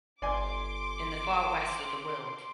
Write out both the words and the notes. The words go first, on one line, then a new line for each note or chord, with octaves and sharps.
In the far west of the world.
G1 D5 G#5 C6 D6